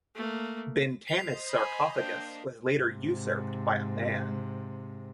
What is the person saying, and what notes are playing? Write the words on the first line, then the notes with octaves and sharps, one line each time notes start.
Bintanath's sarcophagus was later usurped by a man.
A3 A#3
C5 D#5 B6 C7 F7
G#5 B5
A#3 D4 G5
G#2 C3